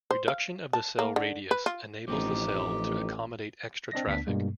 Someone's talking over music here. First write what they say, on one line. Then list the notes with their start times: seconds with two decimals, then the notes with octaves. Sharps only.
Reduction of the cell radius enables the cell to accommodate extra traffic.
0.11 C5
0.28 F5
0.73 A5
0.99 A#3
1.16 D3
1.51 B4
1.66 F4
2.08 A1 F3 C4 D#4 G4
3.92 C4 D4 D#5 A#6
4.07 D2 B3 D4 B6
4.27 G2 B2 G3 G#3 A#3